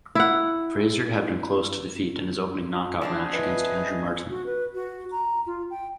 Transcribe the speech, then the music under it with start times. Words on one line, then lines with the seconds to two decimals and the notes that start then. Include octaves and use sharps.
Fraser had been close to defeat in his opening knockout match against Andrew Martin.
0.15 E4 F#5
3.01 F3 C4 D4 G#4
3.33 B4 D#5 E5
4.30 F#4
4.46 B4
4.75 F#4
5.11 A#5
5.46 F4
5.70 G5